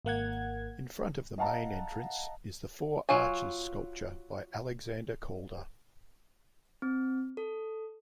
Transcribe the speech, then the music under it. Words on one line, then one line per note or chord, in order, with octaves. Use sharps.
In front of the main entrance is the "Four Arches" sculpture by Alexander Calder.
G#1 A#3 F#5 G#6
D#5 F5 F#5 A5 A#5
F#3 F4 G#5
C4
A4